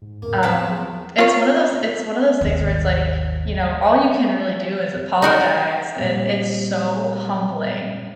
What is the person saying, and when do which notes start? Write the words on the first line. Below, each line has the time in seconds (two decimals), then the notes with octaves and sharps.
um, it's one of those it's one of those things where it's, like, you know, all you can really do is apologize, and it's so, humbling.
0.02 G#2
0.22 E2 A2 C#3 A#3
0.43 F3 F#3 G#3 C4 E4 B4
0.58 B3 E7
0.71 G#4
1.18 F4 C#5
2.41 G#1 D#2
5.22 D#4 F#4 A#4
5.97 A#2 G3 C4